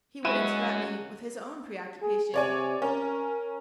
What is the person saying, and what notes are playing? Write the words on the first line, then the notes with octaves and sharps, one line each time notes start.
He would interrupt me with his own preoccupation.
G#3 C#4 E4 F#4 F#6 D#7 E7
G#4
C3 C#5 D5 G#5
C#4 A#4